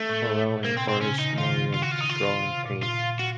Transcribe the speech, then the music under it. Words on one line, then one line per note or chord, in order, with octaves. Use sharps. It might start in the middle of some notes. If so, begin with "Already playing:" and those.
Marrel encouraged Merian to draw and paint.
Already playing: A3
A2
A2
A#2
C3 A#3
C4
C4
C#3 C#4
D#4
D#3
C#3 F4
F4
F#4
F4
D#4
F4
C3
A#2
F4
F#4